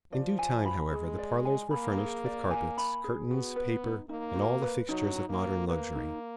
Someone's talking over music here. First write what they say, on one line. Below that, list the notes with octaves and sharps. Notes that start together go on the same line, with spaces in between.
In due time, however, the parlors were furnished with carpets, curtains, paper, and all the fixtures of modern luxury.
F3 D5
G#5
B5
G#3 G#4
D5
G#5
A#3 B5
G#4
D5
G#5
B5
G#4
B3 F#4
B4
D#4
A#3 D#4
F#4
B4
F#3 D#4
D#4
A#3
F#4
A#3 B4
D#4